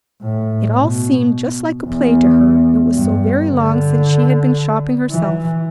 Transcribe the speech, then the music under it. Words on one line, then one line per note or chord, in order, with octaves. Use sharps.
It all seemed just like a play to her, it was so very long since she had been shopping herself.
A2
B2
E2
G2
D3
E3